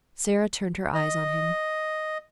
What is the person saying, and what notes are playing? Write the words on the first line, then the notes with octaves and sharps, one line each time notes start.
Sara turned her eyes on him.
D#5